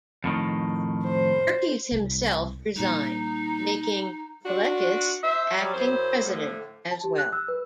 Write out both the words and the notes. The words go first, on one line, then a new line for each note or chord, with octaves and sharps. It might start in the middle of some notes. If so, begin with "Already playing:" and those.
Merkys himself resigned, making Paleckis acting president as well.
F2 A2 D#3
C5
C2
A#2 G3 D#4
D4 F4 F#4
C5 E5
F#3 G3
F#2 E4 C5
A2 D3 F3 A3
A5
G4
F#6
E6
B4